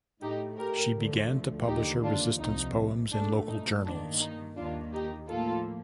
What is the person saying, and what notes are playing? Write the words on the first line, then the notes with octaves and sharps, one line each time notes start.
She began to publish her resistance poems in local journals.
A2 A3 D#4 G4
G4 A#4
D2 D3 F3 A3
D#2 D3 F3 A#3 D#4 G4
D4 F4
C2 C3 F3 D#4
A#2 A3 D4
D#4
G2 D#3 A#3 D4
D#4
D#2 D#3 A#3 D4 F4
D#4 G4
A2 F3 A#3 F4 A4